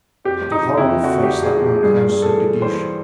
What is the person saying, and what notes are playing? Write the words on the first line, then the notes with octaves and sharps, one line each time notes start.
"What a horrible face that monk has," said De Guiche.
F2 G4
F3 D#4
F2 E4
D3 F#4
G4
F2
G#4
F3
G4
G2 G#4
G2
A4
E3
E3 C5